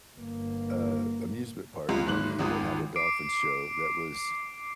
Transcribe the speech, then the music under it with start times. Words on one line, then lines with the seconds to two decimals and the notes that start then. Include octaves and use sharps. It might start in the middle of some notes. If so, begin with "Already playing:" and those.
uh, amusement park near me that had a dolphin show that was,
0.16 G1 A#3
1.89 C#2
2.06 F#1 G#2 F#6 F#7
2.39 G#1 C#2 D#6
2.96 D6 C7 D7